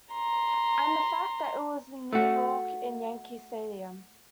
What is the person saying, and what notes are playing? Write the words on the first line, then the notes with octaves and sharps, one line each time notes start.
And the fact that it was in New York in Yankee Stadium.
A#5 C6
A3 F#4